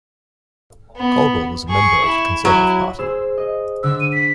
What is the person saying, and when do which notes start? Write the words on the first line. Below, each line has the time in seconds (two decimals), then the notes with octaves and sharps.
Coldwell was a member of the Conservative Party.
0.97 B3
1.69 G#4 C#6
2.05 E4
2.45 F#3 E4
2.99 G#4 C5 E6
3.37 D#5
3.83 D3 E6
4.00 D#7
4.13 B6